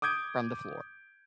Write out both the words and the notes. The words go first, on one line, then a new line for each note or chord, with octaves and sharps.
From the floor.
D6 D#6 G6 G#6 D7